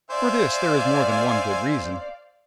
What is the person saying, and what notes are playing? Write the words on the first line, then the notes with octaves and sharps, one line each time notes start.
For this there is more than one good reason.
C5 D5 E5 F5 G#5